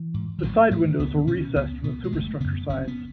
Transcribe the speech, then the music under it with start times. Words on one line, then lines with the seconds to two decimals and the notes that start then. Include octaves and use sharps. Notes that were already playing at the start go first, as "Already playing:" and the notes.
The side windows were recessed from the superstructure sides.
Already playing: E3
0.14 G#2
0.39 E3
0.42 A1 F#3
0.71 G#2 A3
0.99 C#2 B3
1.27 B2 C#4
1.56 C#2 B3
1.84 B2 B3
2.04 G#3
2.12 F#1 A3
2.40 F#2 C#3 B3
2.69 F#1 C#4
2.88 B3